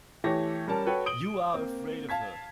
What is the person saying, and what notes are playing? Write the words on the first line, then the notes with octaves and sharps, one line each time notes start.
You are afraid of her!
E3 A3 G4 C#5 A#6
G3 C#4 A#4 A5
F#4 A4 B4 C#5 G5
D#6 D7 F#7 G7
A#3 C4
F5 A5 G#6 B6